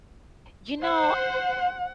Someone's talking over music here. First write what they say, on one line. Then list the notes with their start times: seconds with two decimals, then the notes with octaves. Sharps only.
you know,
0.82 C5 F#5